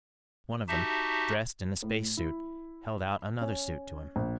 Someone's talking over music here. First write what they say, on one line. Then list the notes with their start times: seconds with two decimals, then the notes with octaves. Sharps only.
One of them, dressed in a spacesuit, held out another suit to him.
0.68 D#4 F#4 G4 E5 A5
1.83 A2
2.17 E4
3.41 C#4
4.16 A#1